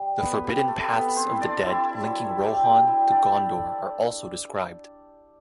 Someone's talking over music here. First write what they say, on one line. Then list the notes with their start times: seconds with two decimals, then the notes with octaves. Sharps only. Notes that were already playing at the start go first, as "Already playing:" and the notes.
The forbidden Paths of the Dead linking Rohan to Gondor are also described.
Already playing: G3
0.19 A3 B3 B4
0.44 G4
0.56 C4
0.68 A3 A4
0.92 A3 B3 B4
1.16 C4 C5
1.28 E4
1.40 D4 D5
1.65 C4 E4 E5
2.02 F#3
2.38 D4 G4 G5
2.63 G4 G5
2.76 D4
2.87 E4 E5
3.11 D4 E4 D5